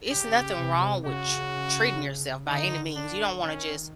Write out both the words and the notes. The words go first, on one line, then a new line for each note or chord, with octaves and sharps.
it's nothing wrong with tre treating yourself by any means. You don't wanna just
C#3 G4
C3
C#3 F#4
D3 D#4
D4
D#3 C#4